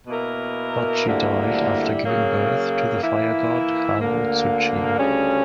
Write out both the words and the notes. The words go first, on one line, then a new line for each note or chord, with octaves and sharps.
But she died after giving birth to the fire-god Kagu-tsuchi.
B2 A#3 E4 A#4
D2 D3 G3 A#3 E4
C#3 F#3 A#3
E3 A#3 E4
D2 D3 A#3
D2 C#3 G3 C#4